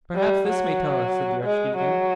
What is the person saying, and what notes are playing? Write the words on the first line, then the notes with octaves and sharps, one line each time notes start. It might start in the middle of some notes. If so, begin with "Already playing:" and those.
"Perhaps this may tell us," said the Archdeacon.
G3
F#3
G#3
F#3